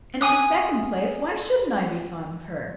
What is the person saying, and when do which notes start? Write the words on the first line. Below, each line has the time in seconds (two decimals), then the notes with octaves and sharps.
"And, in the second place, why shouldn't I be fond of her?"
0.21 G#5 D#6 F#6